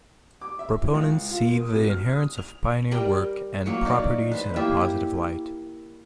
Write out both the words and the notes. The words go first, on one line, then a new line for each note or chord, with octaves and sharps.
Proponents see the inheritance of Pioneer work and properties in a positive light.
D6
E5
E4
C#2
F4
A#3
D#6
B2
F6
D#6
F7
G3 A#4 G5
F#3 A#3 C#5
D#4 F#4 D5
B4 C5
A#3 E4 G4 E5